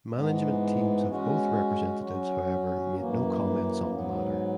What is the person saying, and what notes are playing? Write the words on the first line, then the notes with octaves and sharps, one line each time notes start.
Management teams of both representatives however made no comments on the matter.
G#2 E3 G#3 B3
G#3 C#4 F#4
F#3 C#4 F#4
F#2 E3 A#3
G#2 F#3 B3